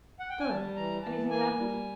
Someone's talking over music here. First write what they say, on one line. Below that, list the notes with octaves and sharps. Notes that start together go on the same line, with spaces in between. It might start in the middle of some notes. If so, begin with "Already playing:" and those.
Good. Anything happened?'
F#5
G5
G#5
G3 A5
E3 A#5
E3 A5
A#3 G#5
G3